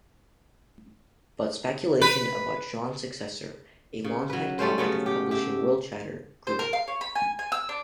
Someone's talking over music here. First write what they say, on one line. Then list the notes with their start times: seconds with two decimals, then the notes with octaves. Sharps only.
But speculation about Shawn's successor, a longtime topic of publishing-world chatter, grew.
2.02 B4
4.04 C#3
4.30 F#3 B4
4.59 G3 A3 C#4 C5
4.78 C#3 F#3 A3 B3
5.06 G4
5.31 G4 E5
6.47 C5
6.59 A#4
6.73 F5
6.88 C#5
7.01 B5
7.15 G#5
7.39 G#5
7.52 E6
7.69 D4